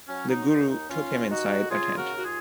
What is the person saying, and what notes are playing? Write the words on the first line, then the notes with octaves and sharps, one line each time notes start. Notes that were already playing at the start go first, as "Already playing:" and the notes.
The Guru took him inside a tent.
F#3 C#4
D#4
D#2 D#4
D#4
D#2 C#4 F4
D#2 D#4 F#4
C#3 F4 G#4
F#4 A#4
D#2
F#4
F4 G#4